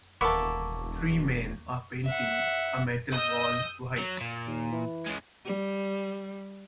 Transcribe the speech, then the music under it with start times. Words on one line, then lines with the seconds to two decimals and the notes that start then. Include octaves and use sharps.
Three men are painting a metal wall white.
0.21 E1 D#2 A#3 B3 A4 E5 C#6 D6
2.05 E5 F#5
3.13 D#5 D#6 E6 G6
3.98 F#3
4.21 A#2
4.47 D#2
4.72 E3
5.06 C#2 G#3
5.45 G3